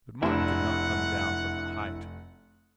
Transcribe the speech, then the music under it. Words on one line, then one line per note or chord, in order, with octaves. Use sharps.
But Martin could not come down from the height.
F1 D4 E4 F#5